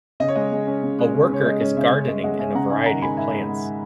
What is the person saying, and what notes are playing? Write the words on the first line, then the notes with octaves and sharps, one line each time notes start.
A worker is gardening in a variety of plants.
C#3 D#5
C#5
G#3 D#5
G#3
C#4
C#3
G#3
C#3
C#3 C#5
G#3 D#5
C#4
C#3 C#5 E5
C#3
C#5
C#4 D#5
G#3 D#5 F#5
C#4 E5 G#5
C#3 F#5 A#5
G#2 E5 G#5
D#3 F#5 A#5
G#3 G#5 B5
G#2 E5 G#5
G#3
G#3